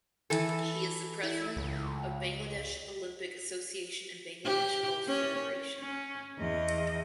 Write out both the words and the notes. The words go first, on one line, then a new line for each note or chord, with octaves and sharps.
He is the President of Bangladesh Olympic Association and Bangladesh Golf Federation.
E3 A4
E4
C#2
G4
C#4
C#4
E2 D#5